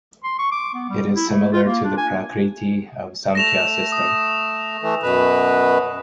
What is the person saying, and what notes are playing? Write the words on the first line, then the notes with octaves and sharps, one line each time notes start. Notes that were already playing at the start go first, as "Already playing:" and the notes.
It is similar to the Prakriti of Samkhya system.
C6
C#6
D6
B3
G3
E4
A3
F4
A#3
D4
G#5
A3 A#6 E7 F7
D#6
E3 A3
F#2 B2 B4